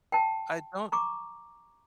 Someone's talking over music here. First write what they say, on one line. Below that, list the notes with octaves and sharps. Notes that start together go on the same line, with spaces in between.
I don't
G5 A5
A#5 C#6 D6